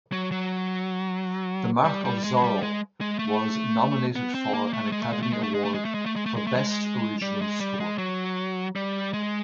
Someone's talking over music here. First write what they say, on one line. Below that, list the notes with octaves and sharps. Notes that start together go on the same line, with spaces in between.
"The Mark of Zorro" was nominated for an Academy Award for Best original score.
F#3
F#3
G3
G3
G#3
G3
G#3
G#3
A3
B3
C4
A#3
A3
G#3
A3
G#3
A3
G#3
A3
G#3
A3
G#3
A3
G#3
A3
G#3
A3
G#3
A3
G#3
G3
G#3
G3
G#3
F#3
G3
G#3